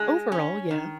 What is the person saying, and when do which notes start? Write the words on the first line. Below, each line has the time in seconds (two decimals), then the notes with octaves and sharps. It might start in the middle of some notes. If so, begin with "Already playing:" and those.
overall, yeah,
Already playing: G#3
0.32 C#4
0.71 D#3